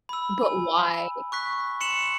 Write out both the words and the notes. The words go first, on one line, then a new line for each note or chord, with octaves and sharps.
But, why?
B5 E6
G#5
C#6 F#6 B6
C6 C#7 E7 F#7